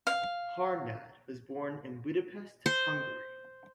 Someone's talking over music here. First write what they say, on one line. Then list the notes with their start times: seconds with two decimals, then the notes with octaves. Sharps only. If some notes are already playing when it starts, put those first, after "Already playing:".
Harnad was born in Budapest, Hungary.
0.07 F5
2.66 C5